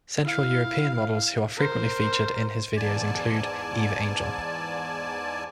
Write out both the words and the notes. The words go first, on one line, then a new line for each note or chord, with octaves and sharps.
Central European models who are frequently featured in his videos include Eve Angel.
E4 F5
A#4 C5
E2 G#2 D5 G#5 A5